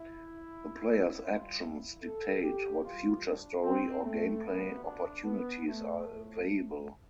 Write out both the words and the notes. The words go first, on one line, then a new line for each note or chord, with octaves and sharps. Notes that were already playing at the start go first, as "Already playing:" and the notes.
The player's actions dictate what future story or gameplay opportunities are available.
Already playing: E4
G2 E3 G3 F4
E4
A4
G4
E2 B2 G3 F4
D4
C4
A3
D2 C3 F3 A3 B3
D4
B3
A3
A2 F3 A3